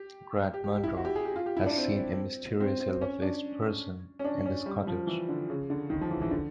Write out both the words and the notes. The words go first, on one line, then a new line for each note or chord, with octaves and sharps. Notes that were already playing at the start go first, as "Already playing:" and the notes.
Grant Munro has seen a mysterious yellow-faced person in this cottage.
Already playing: G4
G4
G4
G4
E4
F#4
G4
G#4
G4
F4
G4
E4
D4
C4
C4
C4
C#4
D4
C#4
D4
C#4
G3
F3
E3
D3
C#3
D3
D#3
F3
E3
E3
D3